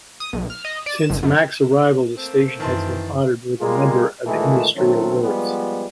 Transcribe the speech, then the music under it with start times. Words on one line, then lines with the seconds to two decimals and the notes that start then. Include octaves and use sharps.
Since Mack's arrival, the station has been honoured with a number of industry awards.
0.20 D#6
0.33 B1
0.50 F6
0.65 D#5
0.86 D5
0.98 E7
1.10 G1
1.23 F#2
2.17 A3 A#3 C4
2.60 F#2 D#3 E3 A5 C6
3.60 G3 G#3 A#3 F4 G#4
4.26 A#2 D#3 E3 G#3 A3
4.76 D#3 F#3 A3 C4 C#4
5.22 F3 G3 G#3 B3